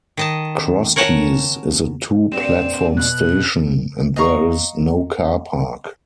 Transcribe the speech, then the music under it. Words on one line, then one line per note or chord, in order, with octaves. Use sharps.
Crosskeys is a two-platform station and there is no car park.
D#3 D#5 A5
A#4 C#5 F#5 G#5 A5
G2 A#2 C4 E7
B2 F#6
D#5 F5 A#5 C#6